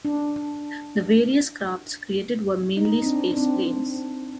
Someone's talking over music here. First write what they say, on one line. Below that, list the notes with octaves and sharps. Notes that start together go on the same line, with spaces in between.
The various crafts created were mainly spaceplanes.
D4
D#4
C4
D4
D4
C4